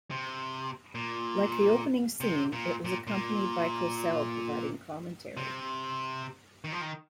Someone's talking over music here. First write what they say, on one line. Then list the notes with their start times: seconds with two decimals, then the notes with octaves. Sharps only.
Like the opening scene, it was accompanied by Cosell providing commentary.
0.10 C3
0.95 A#2
2.21 C3
2.52 A#2
2.85 A#2
3.07 A#2
5.37 C3
6.64 D#3
6.72 F3
6.81 D#3